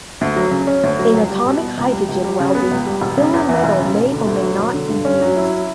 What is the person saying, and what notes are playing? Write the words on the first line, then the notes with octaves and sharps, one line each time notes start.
In atomic hydrogen welding, filler metal may or may not be used.
D2
F#3
C#3
C#4
D2
F#3
C#2
G3
B2
B3
C#2
G3
C#2
G3
C#3
B3
C#2
G3
E1
C#3
E2
E3
E1
C#3
E1
D3
D2
F#3
E1
D3
G2
C#4
F#3
E4